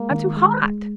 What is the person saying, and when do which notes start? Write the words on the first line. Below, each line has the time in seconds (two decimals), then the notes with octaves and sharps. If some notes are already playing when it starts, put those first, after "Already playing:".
"I'm too hot."
Already playing: G#3 A#3
0.11 D#3
0.37 G#3
0.62 G#3